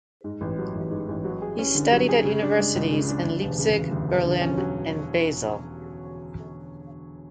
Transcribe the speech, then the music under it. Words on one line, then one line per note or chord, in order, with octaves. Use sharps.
He studied at universities in Leipzig, Berlin, and Basel.
G#2
A1
F#3
A1
G#2
A1
F#3
G#4
C#4
D3
F#3
G#4
C#3
D4
G#3
C#2
C#3
D4
D2
E1
C#3
E1
D2
E1
D3
C#4
F#3